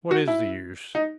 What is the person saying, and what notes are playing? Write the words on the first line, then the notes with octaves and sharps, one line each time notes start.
What is the use?
F#4
E4
D#4